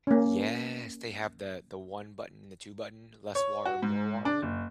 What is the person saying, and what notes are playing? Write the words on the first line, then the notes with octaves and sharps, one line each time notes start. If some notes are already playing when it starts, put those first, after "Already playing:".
Yes. They have the the one button, the two button, less water, more water.
A#3 C#4
C#5
F#4
G#2
D4
F#1